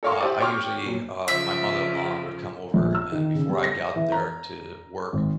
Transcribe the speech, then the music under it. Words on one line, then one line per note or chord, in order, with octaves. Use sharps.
uh, I usually uh, my mother-in-law would come over, eh before I got there to work
A4 A#4 C#5 F5 C6 C#6
E4 G4 C5 D5
F#4 C#5 G5 C#6 D6 F6
A#2 F#3
C#3 F3 E5
A#1
E6
D#3
C#3
G3
A#6
E3
A#5
G#1